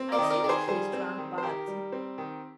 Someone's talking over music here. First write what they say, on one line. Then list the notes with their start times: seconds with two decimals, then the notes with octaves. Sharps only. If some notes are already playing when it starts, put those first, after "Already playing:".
"I see that he is drunk, but...."
Already playing: C4
0.12 A#4 D5
0.18 D#3 D#5
0.30 A#4 D5
0.44 D#3 D5
0.49 G#4 C5
0.68 G3 G#4 C5
0.93 C4
1.18 D#3
1.38 C5
1.43 D#3 G4 A#4
1.68 G3
1.92 C4
2.18 D#3